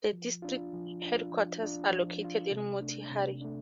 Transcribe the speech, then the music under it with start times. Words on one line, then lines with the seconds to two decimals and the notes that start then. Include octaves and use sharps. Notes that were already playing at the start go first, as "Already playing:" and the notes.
The district headquarters are located at Motihari.
0.13 F3
0.42 D4 F4
0.73 F3
1.02 D4 F4
1.33 F3
1.63 D4 F4
1.92 F3
2.22 D4 F4
2.51 C3
2.81 A3 D4
3.10 C3
3.41 A3 D4